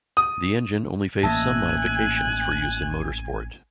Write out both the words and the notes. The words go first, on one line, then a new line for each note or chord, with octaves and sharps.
The engine only faced some modifications for use in motorsport.
D#6
A1 A#3 D#5 E5 G#5 A5 F#6